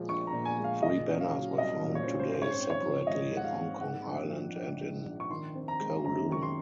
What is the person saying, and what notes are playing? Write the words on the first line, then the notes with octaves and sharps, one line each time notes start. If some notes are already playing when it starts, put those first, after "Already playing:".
Three banners were found today separately in Hong Kong Island and in Kowloon.
Already playing: A#2 F3 G#3
A#1 C#6
A#5
A#2
G#5
G#3
F5
A#2 D#5
C#4
F5
F#3
C2 D#5
A#2
C#5
C5
C#4
C5
G#2 C5
C#5
C5
C4
C#5
F3
G#1 D#5
G#2
F#5
F5
C4
G#2 F#5
A#1
F3
A#1
G#2
A#1
C#6
D#3 C6
C4
A#5
G#3
F#2 A#5
D#3 C#6
C6